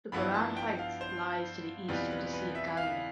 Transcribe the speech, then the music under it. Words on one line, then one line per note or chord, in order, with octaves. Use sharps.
The Golan Heights lies to the east of the Sea of Galilee.
G2 F3 B3 E4 B5
A5
G5
F5
C5
E2 B2 G3 C4 F4 B4
B4
B4
E5
F5